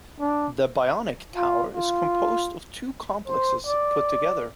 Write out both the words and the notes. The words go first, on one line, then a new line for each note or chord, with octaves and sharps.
The Bionic Tower is composed of two complexes put together.
D4
F4
F4
C5
D5